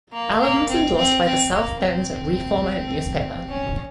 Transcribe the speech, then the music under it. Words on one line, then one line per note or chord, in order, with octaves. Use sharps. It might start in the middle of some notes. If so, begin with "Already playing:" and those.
Allen was endorsed by The South Bend Reformer newspaper.
A#3
A#3
C4
C4
C4
A#3
C4
C#4